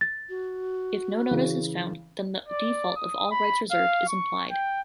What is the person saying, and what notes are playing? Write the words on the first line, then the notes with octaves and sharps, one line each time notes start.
If no notice is found, then the default of "All rights reserved" is implied.
A6
F#4
C#3 E3
D5
D#6
B5
F5
C#6
G5